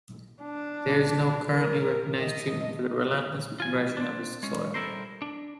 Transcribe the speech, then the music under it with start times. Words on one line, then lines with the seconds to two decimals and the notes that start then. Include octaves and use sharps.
There is no currently recognized treatment for the relentless progression of this disorder.
0.42 D4
1.51 A#4
2.21 D#5
3.60 F4 G#5
3.97 C4 D4
4.43 G#3 C#4
4.74 G3 E4 A4 A#4 C5
5.22 D4